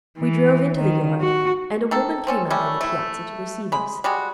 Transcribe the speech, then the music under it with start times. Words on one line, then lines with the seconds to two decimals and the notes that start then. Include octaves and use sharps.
We drove into the yard, and a woman came out on the piazza to receive us.
0.18 E3
0.79 D#3
1.21 F#4
1.91 D#3 A4
2.27 C4 C#4 A4
2.50 G3 A3 C#4
2.81 A3 E4
3.72 G#3 B5
4.04 G3 G#3 F#4